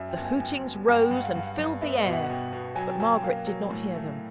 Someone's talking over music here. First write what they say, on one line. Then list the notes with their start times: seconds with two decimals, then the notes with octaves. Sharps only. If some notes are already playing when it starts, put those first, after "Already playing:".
The hootings rose and filled the air,--but Margaret did not hear them.
Already playing: F#2 E5
0.08 G5
0.17 G1
0.25 G#5
0.40 F#2 G5
0.63 G1
0.88 G2 G#5
0.94 F#5
1.00 G5
1.11 G2 F#5
1.23 F5
1.35 G2
1.58 G2
1.82 B3 E5
1.98 D#5
2.06 B2
2.13 F#5
2.29 B2 G5
2.53 B2
2.76 F#3 G#5
2.89 G5
3.00 F#3 G#5
3.12 G5
3.23 A#3 F5
3.47 F#3
3.70 A2
3.95 A3